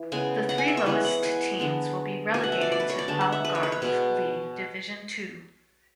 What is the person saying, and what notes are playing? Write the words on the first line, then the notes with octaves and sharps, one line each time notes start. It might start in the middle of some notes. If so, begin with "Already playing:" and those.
The three lowest teams will be relegated to Algarve League Division Two.
Already playing: E3
C#3 G#3 B3 G#5
F#5
G#5
E5
C#5
E3 G#3 B3 B4
F#5
G#5
D3 G#3 B3
B2 A3 G#5
F#5
E5
D5
D5
B4
C#5
D5
D3 G#3 B3 A5
F#5
E5
B4
C#5
B4
C#5
B2 G#3 B3 B4